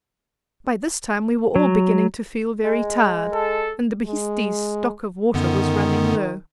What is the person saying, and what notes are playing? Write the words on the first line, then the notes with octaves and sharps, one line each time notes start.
By this time we were all beginning to feel very tired, and the bhisti's stock of water was running low.
F#3
G#3
A4
G#3
F#2 D3 D#3 B3